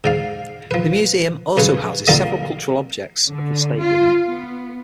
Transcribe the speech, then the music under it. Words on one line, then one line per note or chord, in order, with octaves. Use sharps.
The museum also houses several cultural objects of the state within it.
G#2 D5 F5
F3 B4
B1 G2 C#3 B4 C#5
D3 E3 G3 A#3 F4 D5
D3
F4
B3